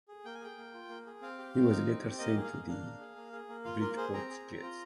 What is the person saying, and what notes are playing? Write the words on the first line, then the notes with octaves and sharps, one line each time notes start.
He was later sent to the Bridgeport Jets.
G#4
A#3 G5
G#5
G#4 G5
A#3
F4
A#3
G#4
C4 F5
G4
C4
D#4
C4
G4
A#3 D#5
G#4
F5
A#3
D4 F5
A#3
G#4
A#3
G#4
A#3
F4 F5
A#3 A#4
G#4 C5
C4 A#5
G#4
C4
F4